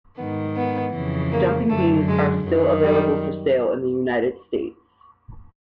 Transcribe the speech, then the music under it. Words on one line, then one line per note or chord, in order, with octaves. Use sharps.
Jumping beans are still available for sale in the United States.
G#2 D#3 B3
B3
F2 C#3 E3
A#3
F#2 D3 A3
G#3
F#2 D#3 F#3
G3